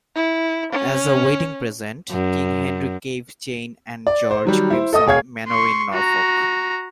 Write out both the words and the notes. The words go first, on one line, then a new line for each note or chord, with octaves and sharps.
As a wedding present, King Henry gave Jane and George Grimston Manor in Norfolk.
E4
C#4
F#2
D5
C5
D#3 F#3 G3
E4 C5
A4 D#5 D#6
E1 G#4 C#5 F5 G#6
C6 C#6
F#4 A#5